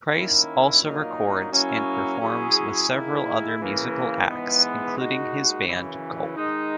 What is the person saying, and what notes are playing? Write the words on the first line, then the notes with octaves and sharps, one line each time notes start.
Pryce also records and performs with several other musical acts including his band Gulp.
D#3 A#3 C#4 E4
A#2 F#3 A#3 D#4 A#4
F#3 A#3 C#4 E4
F#3 C#4 E4 G#4
D#3 A#3 E4 G#4
C#3 E3 A#3
G#2 E3 G#3 B3
A#2 G#3 D#4 F#4
F#2 C#3 E3
D#3 G#3 D#4